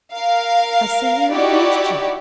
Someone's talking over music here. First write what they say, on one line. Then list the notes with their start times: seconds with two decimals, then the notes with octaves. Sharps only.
"I see he refused you."
0.12 A#4 F5
1.30 D#4 E4 F#4 G4 D5